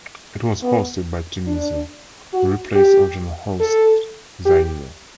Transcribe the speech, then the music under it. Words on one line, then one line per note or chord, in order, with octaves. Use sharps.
It was hosted by Tunisia, who replaced original hosts Zaire.
B3
D4
F#4
G4
A4
G4